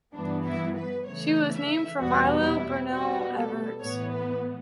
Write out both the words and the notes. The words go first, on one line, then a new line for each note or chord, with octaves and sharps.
She was named for Milo Burnell Evarts.
G2 E3 B3 D4
E4
B4
C#3 E3 A3 C#5
E5
E2 B2 G3 B3 F#4
E4
B2 G3 B3 F#4
A4
A2 E3 B3 C#5
B4